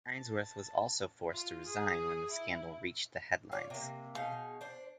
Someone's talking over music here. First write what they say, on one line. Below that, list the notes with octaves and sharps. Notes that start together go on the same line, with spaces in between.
Ainsworth was also forced to resign when the scandal reached the headlines.
A5
F4
G#4
E4
F4 C#5 D5
C3 A#3
B2 D#4 G#4 F5
D4 C5